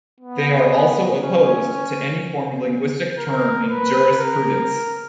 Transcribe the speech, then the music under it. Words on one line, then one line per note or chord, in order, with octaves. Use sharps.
They are also opposed to any form of linguistic turn in jurisprudence.
B3
C#4
A#4
B4
A#4